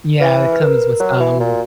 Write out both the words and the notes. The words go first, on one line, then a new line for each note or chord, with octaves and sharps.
Yeah, it comes with some or
E3 B4
B4
A#4
F#3 F#4
E3
A#2